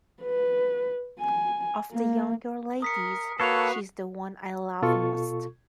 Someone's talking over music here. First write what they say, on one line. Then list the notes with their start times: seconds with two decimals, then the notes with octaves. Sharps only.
Of the younger ladies, she's the one I love most.
0.22 B4
1.19 G#5
1.93 A#3
2.82 A#4 D#6 B6 C#7
3.40 A#3 F#4 A4 B4 C#5 C7 F7
4.82 B2 F4 A4 C#6